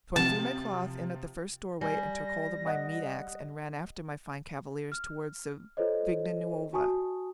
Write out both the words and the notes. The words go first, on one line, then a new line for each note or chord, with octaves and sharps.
So I threw my cloth in at the first doorway, and took hold of my meat-axe and ran after my fine cavaliers towards the Vigna Nuova.
C3 F3 A5
G3 G#5 A#6
D#5 F#5
F6
F4 A4 C5 C#5 D#5
F#4 G#5 A5 C#6 D#6